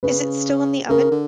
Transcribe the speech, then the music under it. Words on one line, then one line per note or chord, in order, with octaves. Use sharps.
Is it still in the oven?
C#3 B4
C#3 A#4
D3